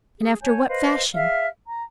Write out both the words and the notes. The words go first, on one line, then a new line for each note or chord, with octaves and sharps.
"And after what fashion?"
G#4
C#5 G#5 A5 G6
B4 C5 D#5 F5
G#4 E5 F5 F6
A#5